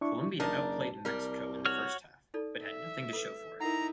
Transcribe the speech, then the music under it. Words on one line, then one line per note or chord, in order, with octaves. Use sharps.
Colombia outplayed Mexico in the first half, but had nothing to show for it.
D4 E4 C#6
F#1 D4 D#4 A#4 A5
C2 G3 A#4
F#4 C#5 F6
D#4 A4 D5
E5
A4 B4
D#4 E4 A#4 F#5 A#5